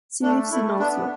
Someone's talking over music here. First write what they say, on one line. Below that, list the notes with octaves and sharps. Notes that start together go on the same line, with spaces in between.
She lives in Oslo.
A3 D4
A3 E4
B3 D4